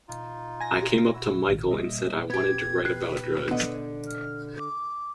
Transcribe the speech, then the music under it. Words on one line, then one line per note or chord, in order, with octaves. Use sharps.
I came up to Michael and said I wanted to write about drugs.
D#4 F4
G#5 A#6
E4 F#4 E6
A1 D#3
A#2 G3 A#3 D#5 E5
B3 G4 G#6
B4 F#6 C7
D3 B3 D#5
F6
D6